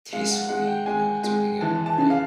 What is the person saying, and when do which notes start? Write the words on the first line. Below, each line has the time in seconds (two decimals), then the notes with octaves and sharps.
tastefully you know, it's really good, right?
0.13 G#3 F5
0.31 F#5
0.49 G#3 F#5
0.67 G5
0.86 G#3 G#5
1.23 G#3
1.61 E3 A5
1.86 A5
1.98 C#3
2.10 F5